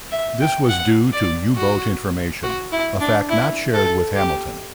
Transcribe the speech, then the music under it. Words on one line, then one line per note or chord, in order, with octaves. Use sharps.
This was due to U-boat information, a fact not shared with Hamilton.
E5
G5
F#5
D5
F#4
F#4
E4
D4
E4
A4
G4